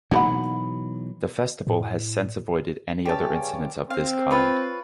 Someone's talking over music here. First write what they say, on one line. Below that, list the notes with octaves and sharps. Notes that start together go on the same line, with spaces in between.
The festival has since avoided any other incidents of this kind.
B2 E3 F#3 A#3 D#4 A#4 F#5 B5
A2
G2 C#3 C#4 G4 A5
C4 F5
F4 B4 C#5